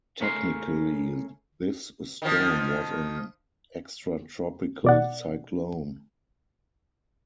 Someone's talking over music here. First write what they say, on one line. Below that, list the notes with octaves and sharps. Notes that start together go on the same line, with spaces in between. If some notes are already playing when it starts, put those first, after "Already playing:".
Technically, this storm was an extratropical cyclone.
C#3 A3 C#4 A#4 A#5 C6
D#3 F3
B2 D5 F#5